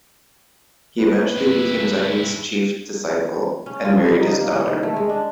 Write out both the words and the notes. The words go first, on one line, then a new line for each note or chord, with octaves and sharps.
He eventually became Zahid's chief disciple and married his daughter.
B4
G2 E4
C#4
F4
G3
D#4
A#3
E3
D#3
A3
G#3
D4